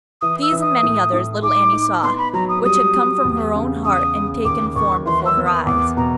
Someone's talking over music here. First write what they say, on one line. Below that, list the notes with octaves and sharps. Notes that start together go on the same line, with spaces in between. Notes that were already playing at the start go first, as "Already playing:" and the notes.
These and many others little Annie saw, which had come from her own heart, and taken form before her eyes.
E3 D#6
E6
E3
D#6
A2
A2
D#4 D6
D#4
B3 C6
B5
F#3 A#5
D#6
G3 D#6
G3
E2
C#3
C#3 D#6
C#3
D#2 D6
D#2 C#6
E3 C6
E6
B3
D#6
E2 D6
B2 A#5